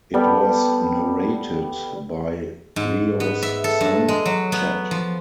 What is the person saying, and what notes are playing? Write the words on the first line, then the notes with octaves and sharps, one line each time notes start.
It was narrated by Breau's son, Chet.
G3 B3 A4 G5
G#2
B3
E5
A4
G2
G#3
F#3
B3
F3